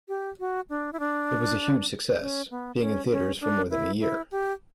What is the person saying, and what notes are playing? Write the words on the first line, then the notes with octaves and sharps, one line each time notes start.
It was a huge success, being in theaters for more than a year.
G4
F#4
D4
E4
D4
C#4
B3
C#4
C#4
D4
E4
E4
G4